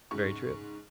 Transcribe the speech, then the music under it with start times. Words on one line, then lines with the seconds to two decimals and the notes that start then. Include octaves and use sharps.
Very true.
0.11 G#2 C#3 C#6